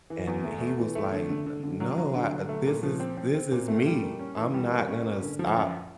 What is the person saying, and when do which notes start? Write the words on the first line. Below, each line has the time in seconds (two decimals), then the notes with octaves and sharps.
And he was like, "N n no, uh, this is this is me. I'm not gonna stop,
0.10 E3
0.27 E2
0.44 A3
0.61 A3
0.78 E3
0.95 A3
1.12 D3
1.29 D3
1.46 D3
1.64 D3
1.80 F#3
1.98 F#3
2.15 D3
2.32 F#3
2.49 A3
2.66 A#2
2.83 F3
3.00 C4
3.17 C4
3.34 C4
3.52 A#2
3.68 A3
3.86 G3
4.02 A#3
4.19 C#4
4.37 E3
4.54 G3
4.71 A#3
4.88 C#4
5.05 A#3
5.22 D3
5.39 F3
5.56 F#2